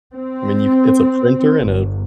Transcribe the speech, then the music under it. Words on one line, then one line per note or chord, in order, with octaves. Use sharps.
I mean, you c it's a printer and a
C4
G1